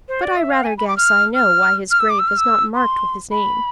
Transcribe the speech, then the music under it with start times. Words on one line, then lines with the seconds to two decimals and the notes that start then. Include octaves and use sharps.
But I rather guess I know why his grave was not marked with his name.
0.08 C5
0.23 D5
0.36 E5
0.50 F5
0.64 G#5
0.78 B5
0.88 D6
0.97 F6
1.35 F6
1.91 F6
2.00 E6
2.10 D6
2.19 E6
2.28 F6
2.37 E6
2.75 C6
3.31 B5